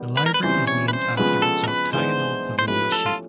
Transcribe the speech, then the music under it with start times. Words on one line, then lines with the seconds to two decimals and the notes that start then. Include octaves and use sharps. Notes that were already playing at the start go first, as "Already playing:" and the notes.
The library is named after its octagonal pavilion shape.
Already playing: D#3 G3 B3
0.17 B4
0.26 A#4
0.34 B4
0.43 C#3 E3 G3 C4 C5
0.67 C#5
0.88 B4
0.93 C5
1.17 C#3 F3 G#3 B3 B4
1.42 A4
1.64 A#4
1.68 B4
1.92 G#2 E3 G#3 B3 D4 C5
2.59 C5
2.68 F3 A3 C#4 E4 G4 B4
2.92 A4
3.06 F4